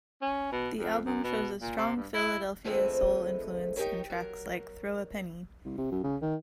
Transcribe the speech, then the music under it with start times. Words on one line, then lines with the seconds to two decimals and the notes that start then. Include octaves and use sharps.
The album shows a strong Philadelphia soul influence in tracks like "Throw a Penny".
0.22 C#4
0.52 B2
0.77 F2
1.06 F#2
1.24 B2
1.61 A#2
1.77 C3
1.96 G2
2.15 E4
2.64 D3 F3 G#3 A3 B3 C4
3.76 D#4 G4 G#4 A#4 C#5
4.10 F#3 A#4
5.65 C2
5.78 C3
5.92 F#2
6.03 C#3
6.22 D#3